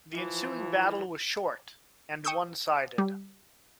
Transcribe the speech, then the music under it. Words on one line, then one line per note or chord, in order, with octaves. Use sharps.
The ensuing battle was short and one-sided.
E3 F3
G5 C#6 D#6 E6 G6
G3